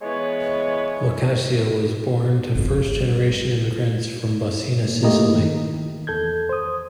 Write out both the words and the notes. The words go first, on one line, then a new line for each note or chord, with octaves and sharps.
Locascio was born to first generation immigrants from Baucina, Sicily.
E3 G#3 B3 C#5
G#1 F2
G3
A#2
A3 A#3 E4 G4 A#4 D#5
D#3
E2 A4 G6 G#6
C5 D#6